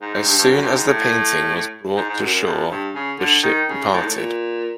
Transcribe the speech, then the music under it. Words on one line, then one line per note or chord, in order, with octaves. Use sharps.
As soon as the painting was brought to shore the ship departed.
G#2
G#2
G2
G2
F#2
G2
G#2
A2
G#2
G#2
F#2
F#2
F2
G2
C#3
D3
D#3
C#3
A2
G#2
A2
A#2